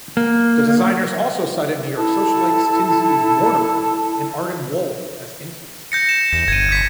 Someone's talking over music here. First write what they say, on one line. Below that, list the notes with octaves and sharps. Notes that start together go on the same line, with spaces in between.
The designers also cited New York socialites Tinsley Mortimer and Arden Wohl as influences.
A#3
E4 A4 A5
G6 A#6 C#7
E7
E2 A#6
G1 G#6 D#7
G#6 B6